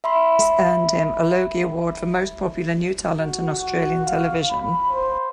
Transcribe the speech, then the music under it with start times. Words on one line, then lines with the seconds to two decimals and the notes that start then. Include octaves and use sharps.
This earned him a Logie Award for Most Popular New Talent on Australian television.
0.04 E5 B5 C6
3.13 F#4
3.59 F#4
4.06 F5
4.51 B5
4.90 C5